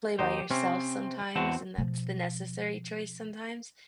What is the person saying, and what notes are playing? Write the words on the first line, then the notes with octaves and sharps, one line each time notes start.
play by yourself sometimes, and that's the necessary choice sometimes,
D#2 D#4 G4 C5
C3 C4 C#4
E2 C4 F#4 F#5 A5
B2 F3